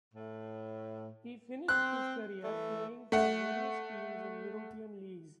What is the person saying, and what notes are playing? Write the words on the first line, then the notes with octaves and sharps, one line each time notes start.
He finished his career playing for various teams in European leagues.
A2
C4 F#6
E3 A3
A3 F#5